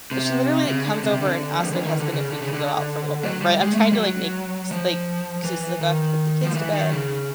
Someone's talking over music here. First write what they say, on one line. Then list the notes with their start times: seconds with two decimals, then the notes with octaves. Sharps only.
she literally comes over and asks my husband if we can go out for a little bit. Right? I'm trying to, like, make s like excuses, like, "Oh, I have to put the kids to bed,"
0.11 C3
0.66 C#3
0.85 D3
1.02 C3
1.21 D3
1.59 F3
1.72 E3
1.85 D#3
1.99 D3
2.13 C#3
2.32 D3
2.42 C#3
2.53 D3
3.23 F#3
3.42 G3
3.61 G#3
3.74 A3
3.79 G#3
3.93 G3
3.97 F#3
4.71 F3
5.44 E3
5.81 D#3
6.43 F3
6.54 E3
6.73 D#3
6.91 C#3